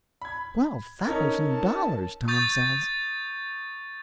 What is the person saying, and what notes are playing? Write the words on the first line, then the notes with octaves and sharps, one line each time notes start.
"Twelve-thousand-dollars!" Tom says.
B5 G#6
C#4 D#4 A4 A#4
A5
C#6 D#6 G6 A6